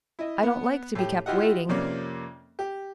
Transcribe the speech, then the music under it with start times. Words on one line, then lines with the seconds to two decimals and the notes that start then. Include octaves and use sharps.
I don't like to be kept waiting.
0.19 E4 D#5
0.43 B3
0.95 A2 G4
1.26 E4 F4 G4 D#5 E5 F#5
1.69 F2 C3 A#3 C#4 D5
2.59 G4